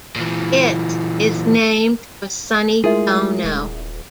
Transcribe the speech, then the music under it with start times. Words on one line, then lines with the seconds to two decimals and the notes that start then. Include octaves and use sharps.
It is named for Sonny Bono.
0.16 A#2 E3
2.84 G#3 A3 E4 F4 G#4 A#4 E5
3.44 D#1